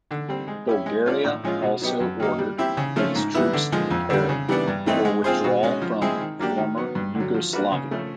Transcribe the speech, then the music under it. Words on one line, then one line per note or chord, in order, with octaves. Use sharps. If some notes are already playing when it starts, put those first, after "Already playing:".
Bulgaria also ordered its troops to prepare for withdrawal from former Yugoslavia.
D3
G3 C4
G#3
C#4 E4 G4
G#3
C#4 F4 A4 D5
A2
F3 G#3 C#4 F4
B2
F#3 B3 D#4 G4
F#2
D#3 F#3 A#3 D#4
G3
C4 E4 G4
C#3
F3 A3 C#4 F4
G#2
E3 G3 B3 E4
D3
F3 G#3
F2
D3 G3
C#3
E3 G3 B3 D4
G2
E3 A3 C4 D#4
G#3
C4 F4 G#4 C5
B2
G#3 C#4
F3
G#3 C4 E4 G#4
D#3
F#3 A#3 D4 G4
D#3
F#3 B3
G2
D3
F#3
F3
A#3 D4 F#4 B4
C#3
F3 A3 C#4